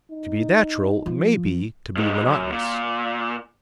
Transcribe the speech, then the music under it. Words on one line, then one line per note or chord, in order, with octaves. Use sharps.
To be natural may be to be monotonous.
D#4
F3
G2 G#3
F#2
A#2